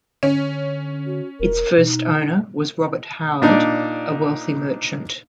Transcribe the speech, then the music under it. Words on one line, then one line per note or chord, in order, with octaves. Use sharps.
Its first owner was Robert Howard, a wealthy merchant.
D3 C#4
F#4
E1 A#4
B2 D#4
A#2 D4 D#4